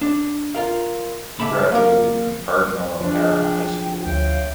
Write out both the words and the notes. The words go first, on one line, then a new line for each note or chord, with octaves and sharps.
He graduated from Cardinal O'Hara High School.
D4
F4 A#4 F5
C#2 G4 E5 A5 B5
A#3 A#4
F3 D4 G#4
G5
D2 C#5 E5 F5 G5